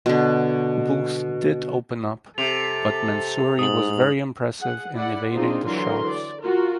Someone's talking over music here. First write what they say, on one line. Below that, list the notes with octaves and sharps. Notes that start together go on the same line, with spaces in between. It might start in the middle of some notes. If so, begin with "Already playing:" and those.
Booth did open up but Mansouri was very impressive in evading the shots.
B2 D3
C3 A4 F7
G#2 D#6 F#7
G#4 F#5
E4 D5 F#5
C4 D4 D#4 F4 G#4 C5
D3 E3 F#3 A#4 C6
D5
F4 F#4 A#4